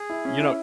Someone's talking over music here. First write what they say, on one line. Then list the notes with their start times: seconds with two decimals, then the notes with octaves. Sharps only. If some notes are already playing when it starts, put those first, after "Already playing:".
you know
Already playing: G#4
0.10 E4
0.25 C#4
0.40 E4